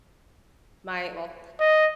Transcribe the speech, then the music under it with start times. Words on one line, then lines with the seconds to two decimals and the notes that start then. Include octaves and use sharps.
my, well
1.60 D#5